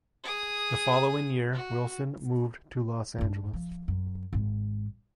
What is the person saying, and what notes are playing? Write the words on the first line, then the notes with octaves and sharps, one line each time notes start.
The following year, Wilson moved to Los Angeles.
G#4 D#6
F#4
G2 D4
F3
F#2
G#1 G#3